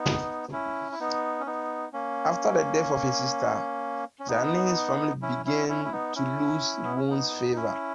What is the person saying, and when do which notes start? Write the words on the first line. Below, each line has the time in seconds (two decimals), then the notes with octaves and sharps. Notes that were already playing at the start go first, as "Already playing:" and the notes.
After the death of his sister, Yannian's family began to lose Wu's favour.
Already playing: B3 D#4
0.52 C#4 E4
0.92 E4
1.00 B3 D#4
1.40 C#4
1.46 B3 D#4
1.93 A#3 C#4
4.20 C#4
4.28 B3 D#4
5.22 C#4 E4
5.45 C#4 E4
5.69 C#4 E4
5.85 E4
5.93 B3 D#4
6.15 C#4 E4
6.84 B3
6.96 C#4
7.10 B3 D#4
7.52 D#4
7.56 C#4 E4